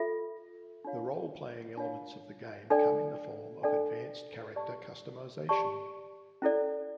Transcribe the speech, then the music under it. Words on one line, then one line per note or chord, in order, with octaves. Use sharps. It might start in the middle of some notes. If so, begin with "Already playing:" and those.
The role-playing elements of the game come in the form of advanced character customization.
Already playing: F4 A4 E5
D4 F4 C#5 F5
D4 F4 C#5 F5
D4 A4 D5 G5
D4 A4 D5 G5
G4 D5 A5 C#6
G4 D5 A5 C#6
C#4 E4 A4 D5